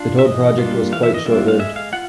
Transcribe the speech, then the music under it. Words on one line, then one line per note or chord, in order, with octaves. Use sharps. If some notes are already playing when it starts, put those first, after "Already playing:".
The Toad project was quite short-lived.
Already playing: D4 F4
E5
E3 D#5
G3 A#3 D4 F4
E3 F5
E5
D#5
G3 A#3 D4 F4 E5
F5
G#3 E5
F5
F4 F#5